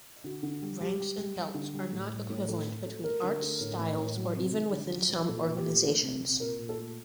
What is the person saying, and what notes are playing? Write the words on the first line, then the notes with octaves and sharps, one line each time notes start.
Rank and belts are not equivalent between arts, styles, or even within some organizations.
D3 F#4
D3
G3
G3 G4
G3
G3
G3
D3
G3
A2
G3
A2
A3 A4
A3
A3
A3 A#4
D3
A3
A2
A2
A2
F#3
C3
D#3
D3
F#3
F#3
A#2 A4
A#2
G4
A3
A3
C3
C3
A#2 A#4
A#2
A4
A3